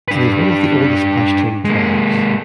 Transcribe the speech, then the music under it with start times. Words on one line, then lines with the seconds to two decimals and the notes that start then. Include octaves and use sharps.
It is one of the oldest Pashtun tribes.
0.08 D4 B4
1.65 G#3 A#3